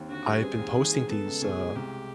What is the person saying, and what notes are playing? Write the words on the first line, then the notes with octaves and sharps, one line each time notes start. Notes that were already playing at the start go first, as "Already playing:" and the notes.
I've been posting these, uh,
Already playing: D#2 C4
D3 F#4
G3
C4 G#4
D#2
D#3
G#3
B3 A4
C#2
B2 G#4
G#3
C2 G4